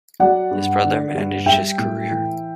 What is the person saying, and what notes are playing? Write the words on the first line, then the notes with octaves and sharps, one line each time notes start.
His brother managed his career.
F#3 D5 F#5
G2
D3
G2
G3 E5 G5
A2
E3